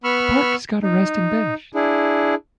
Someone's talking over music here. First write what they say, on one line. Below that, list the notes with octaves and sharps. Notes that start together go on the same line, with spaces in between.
The park has got a resting bench.
B3 B5 C#6 E6 F6
D#4
D4 E4 G#4